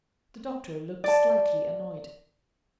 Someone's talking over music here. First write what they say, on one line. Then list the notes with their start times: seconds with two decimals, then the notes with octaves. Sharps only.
The doctor looked slightly annoyed.
1.04 D5 A5